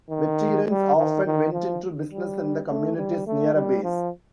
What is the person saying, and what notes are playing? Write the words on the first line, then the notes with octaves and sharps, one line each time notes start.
Veterans often went into business in the communities near a base.
D#3
G3
D#3
D#3
F3
G3
A3
G3
A3
G3
F3